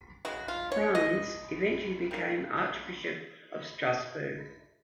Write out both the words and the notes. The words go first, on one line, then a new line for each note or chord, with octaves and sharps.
Franz eventually became Archbishop of Strasbourg.
C#3 F3 G#3 F#4
F4
C#5
D#5
D#3 A#3